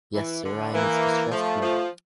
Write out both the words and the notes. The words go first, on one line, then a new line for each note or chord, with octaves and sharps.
Yes, sir, I am his distressed mother.
E3
D3
E3 A#3
F3 A3
F3